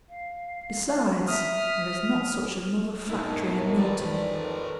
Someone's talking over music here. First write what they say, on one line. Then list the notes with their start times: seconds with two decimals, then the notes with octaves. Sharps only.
Besides, there is not such another factory in Milton.
0.08 F5
1.28 E5 D#6 F6
3.10 A#2 B3 D#4 E4 A#4
3.77 F2 D#3 A4 B4 D5